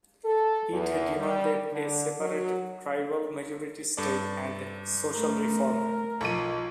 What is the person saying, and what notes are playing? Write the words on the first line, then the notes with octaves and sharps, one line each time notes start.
It demanded a separate tribal-majority state and social reform.
A4
E2
G3
D3
F#3
G2 A4 D5
A3 A#4
B1 F3 A4 D#7